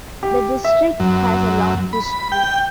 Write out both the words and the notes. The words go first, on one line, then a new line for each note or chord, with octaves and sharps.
The district has a long history.
G4
E5
F#2
B5
G5